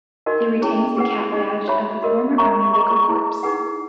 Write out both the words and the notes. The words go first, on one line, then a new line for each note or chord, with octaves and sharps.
It retains the cap badge of the former Army Legal Corps.
D#4 F#4 A#4 D#5
C#4 E4 G#4 C#5
G#4 B4 F#5
D#4 G#4 D#5
F#4 C#5 E5 B5
F#4 A#4 D#5
A#4 C#5 E5 A#5 C#6
G#4 D#5 A#5 C#6
E4 G#4 B4
D#4 G#4 B4 F#5